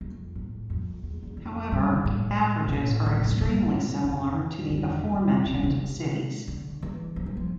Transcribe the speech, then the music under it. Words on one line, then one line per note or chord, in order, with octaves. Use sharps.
However, averages are extremely similar to the aforementioned cities.
F2
A2
F2
E2
E2
F2
G2
A2
B2
A2
D3
C3
B2
A2
G2
E2
F2
G2
F2
G2
C3
B2
C3
D3
E3
F3
E3
F3